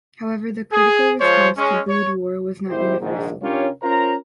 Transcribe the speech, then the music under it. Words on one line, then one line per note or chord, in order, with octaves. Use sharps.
However, the critical response to "Brood War" was not universal.
G#4
F3 G#3 F4 C5 C#5
G#3 C#4
C#5
G#1 E4 G4 C5
A#1 G#2 D#3
C#4 D4 F4 G4 A#4 C#5
C#4 F4 A#4 C5 A#5